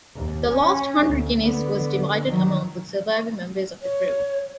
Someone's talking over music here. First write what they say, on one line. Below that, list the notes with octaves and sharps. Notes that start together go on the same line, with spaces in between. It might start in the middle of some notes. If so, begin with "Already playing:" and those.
The last hundred guineas was divided among the surviving members of the crew.
D#2
C#4
D2
D3 B3
D#3 F#3
C#5